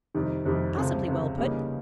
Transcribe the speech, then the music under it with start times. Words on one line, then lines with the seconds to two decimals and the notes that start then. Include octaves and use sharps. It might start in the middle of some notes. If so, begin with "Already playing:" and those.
"Passably well put."
0.15 F2 C3 D#3 G3
0.45 F2 C3 D#3 G3
0.77 C#2 C3 F3
1.08 C#2 C3 F3
1.38 C#3 E3 G3 A#3 D#4